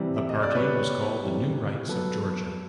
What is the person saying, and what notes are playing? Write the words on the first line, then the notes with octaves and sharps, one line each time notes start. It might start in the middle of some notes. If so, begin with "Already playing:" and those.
The party was called the New Rights of Georgia.
Already playing: C3 E3 G3
E5
D#5
D5
B2 G3 B4 C#5
C3 E3 G3
B2 F#3 A4 B4